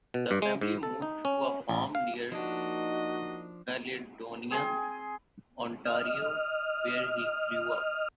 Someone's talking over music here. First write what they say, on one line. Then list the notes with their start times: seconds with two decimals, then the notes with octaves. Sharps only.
The family moved to a farm near Caledonia, Ontario where he grew up.
0.14 B2
0.31 G2
0.42 G#3
0.61 G#2
0.83 A4
1.02 D#4
1.25 C#4
1.69 A1
1.95 F5
2.32 F3 A#3 D4 D#4 F#4 D#5
4.50 C4 G#4 G#5 C6
5.85 D#5 F6